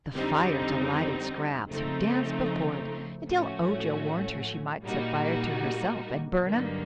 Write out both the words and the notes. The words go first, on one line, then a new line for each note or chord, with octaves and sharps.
The fire delighted Scraps, who danced before it until Ojo warned her she might set fire to herself and burn up.
F2 D3 G3 C4 D#4
C#3 F3 A3 C4 D#4
A2 F3 A3 C#4 F#4
A#2 G3 A#3 D#4 F#4
G2 D3 F#3 A#3 D#4